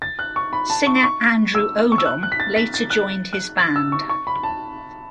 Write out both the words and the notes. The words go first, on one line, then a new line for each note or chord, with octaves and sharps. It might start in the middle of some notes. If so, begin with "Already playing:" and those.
Singer Andrew Odom later joined his band.
A6
F#6
C#6
B5
A5
C#6
C#6
E6
C#6
E6
F#6
F#6
B6
A6
B6
A6
F#6
F#6
A6
E6
C#6
C#6
B5
A5